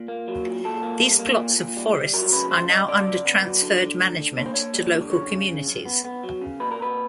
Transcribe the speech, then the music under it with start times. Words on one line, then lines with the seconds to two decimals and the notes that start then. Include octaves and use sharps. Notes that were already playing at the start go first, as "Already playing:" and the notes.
These plots of forests are now under transferred management to local communities.
Already playing: A#2
0.08 A#3
0.28 F#3
0.45 A#2
0.64 A#2 A4
0.83 A#3
1.01 G3
1.20 A#3
1.39 A#2
1.58 A#2
1.77 G3
1.94 G3
2.13 F#3 A#4
2.32 C#3 B4
2.50 F#2 C5
2.69 F#2 D#5
2.88 C#3 D5
3.07 C#3
3.25 B3
3.44 F#3
3.62 D3
3.81 D3
4.00 D2
4.18 D3
4.37 A#3 C#5
4.46 C5
4.54 A#3 C#5
4.74 G3
4.92 D3
5.11 F#2 C#5
5.30 C#3
5.48 C#3
5.67 F#2
5.85 B3
6.05 B3
6.23 F#3
6.42 C#3
6.60 A#2 B4
6.71 A#4
6.79 A#2 B4